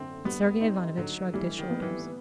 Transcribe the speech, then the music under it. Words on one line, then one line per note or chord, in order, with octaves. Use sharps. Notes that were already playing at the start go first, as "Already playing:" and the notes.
But Sergey Ivanovitch shrugged his shoulders.
Already playing: F#2 D3 C4
G3 B3
C4 D#4
D3 F#3
E3 G3
D#3
B3
E3